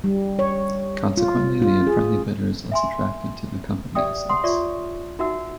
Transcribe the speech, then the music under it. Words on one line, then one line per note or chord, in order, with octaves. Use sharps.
Consequently, the unfriendly bidder is less attracted to the company assets.
G3
C#5
F4
F4
G#4
E5 G#5 C6
G4 D5 E5 G5 D#6
F#5 C6 D#6
F4 C#5 D5 E5 C#6
D#4 F#4 E5 F#5 E6